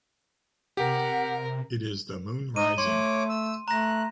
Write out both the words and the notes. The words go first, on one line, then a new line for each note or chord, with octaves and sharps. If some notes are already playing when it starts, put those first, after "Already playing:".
It is the moon rising.
C3 G4 A#4 F#5
D#4 D#5 D#7
A3 C#5 C6 D6
E6
A3 A#5 F#6 A#6